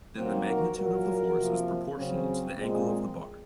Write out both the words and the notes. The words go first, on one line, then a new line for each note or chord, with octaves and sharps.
Then the magnitude of the force is proportional to the angle of the bar.
D#3 F#3 A#3 C4
F#4 A#4
A#2 F#3 A#3 F#4 A#4
C3 F3 A#3
C#3 F#3 C4
A#2 G#3 C4